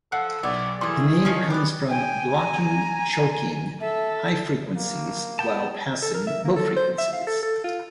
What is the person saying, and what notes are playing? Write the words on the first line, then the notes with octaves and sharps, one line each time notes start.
The name comes from blocking-"choking"-high frequencies while passing low frequencies.
F3 A4 F#5
B1 B3 E4 D5
E3 G3 A3 G#4 C6
D#3 F3 C#4
B3 G4 D5
G5 G#5
A#5
A4 E5
A#3
B3 G5 A5
A4
A#4
E5
A#3
A4
C5
E5
F5
A4
A4
F4